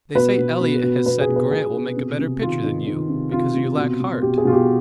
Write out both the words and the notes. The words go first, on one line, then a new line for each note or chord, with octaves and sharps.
"They say Eliot has said Grant will make a better pitcher than you, because you lack heart."
B2 B4
B2
B2
B2
B2 B4
G#4
B2
B4
B2 G#4
B2
C3
C3
D#3 F4
D#3
D#3
C3
C3 F4
C3
B2
B2
B2 G4
G#4
B2 F4
G4